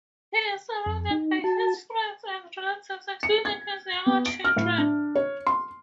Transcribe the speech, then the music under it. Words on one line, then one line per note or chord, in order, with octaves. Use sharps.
He is surrounded by his friends and relatives, including his younger children.
F2
D#4
F#4 A5
C#7
G#6
B3
D7
F6
A2
D4
C#5
C6